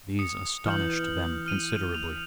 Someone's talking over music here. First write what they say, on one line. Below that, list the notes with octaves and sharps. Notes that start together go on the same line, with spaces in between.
These astonished them considerably.
D#6 C#7
E3 F6 G6 F#7
F6 D#7 F7
F7